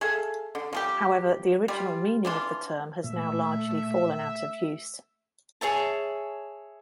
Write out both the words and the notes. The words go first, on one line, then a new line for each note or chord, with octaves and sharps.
However the original meaning of the term has now largely fallen out of use.
G#4 A4 E5 F5
D3
F3 G3 G4
G3 F4
E3 D4 F4
A#2 A3 E5
G#4 C#5 E5 A5